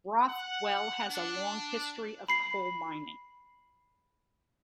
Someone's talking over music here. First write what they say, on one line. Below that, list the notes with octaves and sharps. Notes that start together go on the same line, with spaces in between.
Rothwell has a long history of coal mining.
F#5
D4
B5 C7